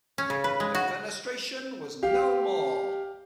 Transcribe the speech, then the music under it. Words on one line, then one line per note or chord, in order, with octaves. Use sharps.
Defenestration was no more.
C#4
C#3
B4
G#3
F#4
G4 F5